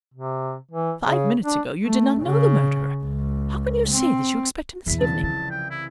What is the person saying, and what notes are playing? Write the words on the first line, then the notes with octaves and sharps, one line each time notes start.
"Five minutes ago, you did not know the murderer; how can you say that you expect him this evening?"
C3
E3
C#3
D4
A3
C#3
C#2
C4
E2 B2 E4 B6
C2 C#3 E3 A5
F3 A5
G5
E4